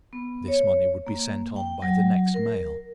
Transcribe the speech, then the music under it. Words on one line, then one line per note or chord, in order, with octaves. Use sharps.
This money would be sent on by the next mail.
B3
C#5
A#3
G5
F#3
A#4